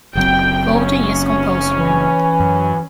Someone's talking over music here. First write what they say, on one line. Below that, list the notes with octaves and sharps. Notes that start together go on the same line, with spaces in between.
Voting is compulsory.
F#1 F#3 C4 G5
C#4
E3
F#2